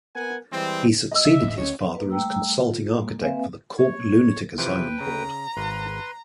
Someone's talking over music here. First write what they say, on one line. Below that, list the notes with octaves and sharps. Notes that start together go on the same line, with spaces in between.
He succeeded his father as consulting architect for the Cork Lunatic Asylum board.
B3 A#4 F#5 G#5
E3 G3 G#3 C4
D#5 E6
C3 E5
E1 A2
D2 C#4 C#5
A#3 B4
G3 A3 G5 A#5 E6
F4
G#3 A#3
A#3 C4 B4 E5 F5 G#5
C#5
C3 E3 F3 B4 G5
C#3 A#5
G#1 B4 C6